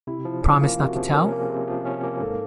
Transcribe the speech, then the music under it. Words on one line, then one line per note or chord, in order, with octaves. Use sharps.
Promise not to tell?
C3 E4
F3
C#4
A#3 F4
C3
F#4
F3
C#4 A#4
A#3
G#4
C3
F3
C#4
A#3
G#2 A4